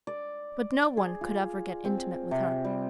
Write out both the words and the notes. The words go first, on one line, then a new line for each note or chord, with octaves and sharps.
But no one could ever get intimate with her.
D5
G#4
F4
C4
C3
G3